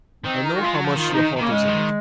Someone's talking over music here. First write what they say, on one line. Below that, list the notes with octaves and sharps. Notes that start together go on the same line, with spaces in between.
I know how much your heart is in it.
D#3 C4
D#4
F#4
G#3 F4
F#3 F#4
F3
D#3 F4
F3 D#4
D#3
D#3
C#3 A#3
G#3
D#3